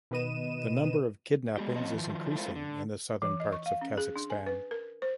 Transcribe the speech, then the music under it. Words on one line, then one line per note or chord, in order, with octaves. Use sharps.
The number of kidnappings is increasing in the southern parts of Kazakhstan.
B2 D#3 B4 D#5 D#7 E7
G#3 B3 G4
F3 C4 C#4 F#4 D#5
D#3 F3
G#3 A3 E4 F4 A#4 C5
D3
E3
D#5
C#6
F5
C#4
G#4
D4
G#5
B4
A#4
C5